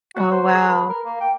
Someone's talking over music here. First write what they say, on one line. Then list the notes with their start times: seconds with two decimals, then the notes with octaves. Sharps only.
Oh, wow.
0.16 F#4
0.32 C5
0.54 G#4
0.68 B4
0.89 A#4
1.06 A#3
1.21 G5